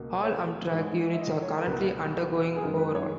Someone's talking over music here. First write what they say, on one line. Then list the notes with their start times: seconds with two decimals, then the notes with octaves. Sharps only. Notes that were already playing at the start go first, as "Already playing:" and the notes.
All Amtrak units are currently undergoing overhaul.
Already playing: C#2 B2 A#3
0.23 C#5
0.71 G#2 E3 G#3
1.14 E5
1.19 D#5
1.42 C#5
1.61 A#4
1.66 C#2 B2 A#3 B4
2.56 G#4
2.62 F#2 D#3 G#3 A#4
2.78 B4
2.95 C#5